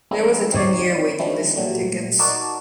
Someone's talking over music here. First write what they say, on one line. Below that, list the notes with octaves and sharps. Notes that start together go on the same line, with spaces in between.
There was a ten-year waiting list for tickets.
F3 G#3 A#3 C4 D4 E4
C4 D#4 C#5 D5
F3 F#3 G#3 C4 D4 E4
A#2 F#3 G3 A3
D#4 F#4 A#4 D5 A5